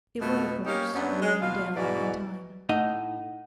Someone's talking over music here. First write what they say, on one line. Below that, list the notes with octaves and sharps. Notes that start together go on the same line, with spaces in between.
It would, of course, wear him down in time.
F2 B2 A3
A#3 C#4 D#4 G4
F#2 F#3 B3 D4
G#3
D#2 B2 F4 F5
G#2 B2 E3 F#4 D5
A2 D#4 D#5 F#5